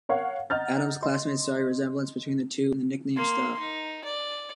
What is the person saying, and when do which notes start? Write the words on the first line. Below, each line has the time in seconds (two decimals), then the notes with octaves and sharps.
Adams' classmates saw a resemblance between the two, and the nickname stuck.
0.09 A#4 C#5 F5 F#5
0.50 D#5 F#5 A#5 F6 G6 A6
1.03 D#5 C6
3.16 A#3 C6
3.59 D#4
4.05 D5